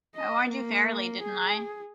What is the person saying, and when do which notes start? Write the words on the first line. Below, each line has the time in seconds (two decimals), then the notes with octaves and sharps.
I warned you fairly, didn't I?
0.15 D#5
0.50 A#3
1.21 G#4